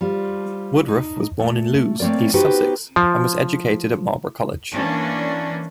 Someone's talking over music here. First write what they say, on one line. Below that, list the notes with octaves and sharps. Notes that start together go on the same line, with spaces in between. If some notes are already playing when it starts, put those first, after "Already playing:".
Woodroffe was born in Lewes, East Sussex and was educated at Marlborough College.
G3 F4 C5
D#4
A3
A3 A#3 C4 C#5 D5
B3 D#4 F#4 G4 B4 C5
F3
E3 A#3 C#4 D4